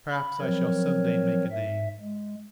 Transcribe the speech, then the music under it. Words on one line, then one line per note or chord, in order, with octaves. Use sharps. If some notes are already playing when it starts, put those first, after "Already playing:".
Perhaps I shall some day make a name.
B5
F3 F#3 C4 A#4 C#5
G#2 E5
G#3